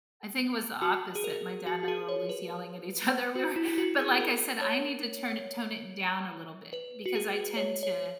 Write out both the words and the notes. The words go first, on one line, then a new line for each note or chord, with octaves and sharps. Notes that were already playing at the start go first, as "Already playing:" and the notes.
I think it was the opposite. My dad and I were always yelling at each other. We were But like I said, I need to turn it tone it down a little bit, because I tend to
F#4
G#4
A#4
F#4
F#4
G#4
C#5
B4
F#4
E4
E4
F#4
G#4
A#4
C#5
B4
F#4
G#4
C#5
C#5